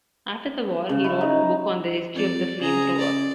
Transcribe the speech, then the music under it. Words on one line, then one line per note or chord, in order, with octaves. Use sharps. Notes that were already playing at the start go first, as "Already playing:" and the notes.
After the war, he wrote a book on the history of the flamethrower.
C#3
E4
D#4
F2 D5
C#3 G#4 A#5
D5